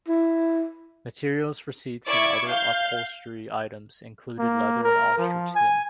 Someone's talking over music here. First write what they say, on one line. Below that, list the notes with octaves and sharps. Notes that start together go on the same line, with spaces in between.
Materials for seats and other upholstery items included leather and ostrich skin.
E4
E4 D5 C#6 D6 E6 G#6
F5 G6
A#3
A#4
F3
G#5